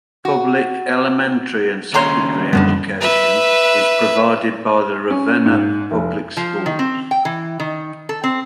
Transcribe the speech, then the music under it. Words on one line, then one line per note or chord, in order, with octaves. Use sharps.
Public elementary and secondary education is provided by the Ravenna Public Schools.
F#4
D#2 C#3 C#5 A#5 C6
F#2 D3 F3 G3 B3
B4 E5
C#4
G#2
F1
F3
D#3
C4
G5
E3
D#3
A4
C4